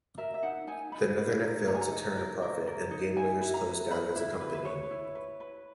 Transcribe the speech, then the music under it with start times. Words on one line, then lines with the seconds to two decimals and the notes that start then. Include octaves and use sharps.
The Nethernet failed to turn a profit, and GameLayers closed down as a company.
0.18 A#4 E5
0.34 E5
0.43 D#4 F#5
0.67 D#4 G#5
0.92 D#4 B5
1.17 D#4
1.42 A#4
1.67 D#4 A#5
1.74 G#5
1.81 A#5
1.92 D#4
2.17 A#4
2.42 A#4
2.67 A#4
2.91 D#4
3.16 E4 G#5
3.41 E4
3.54 A#5
3.66 B4
3.91 B4 B5
4.16 E4
4.41 B4
4.55 B4
4.65 B4 C#5
4.91 E4
5.15 B4
5.40 B4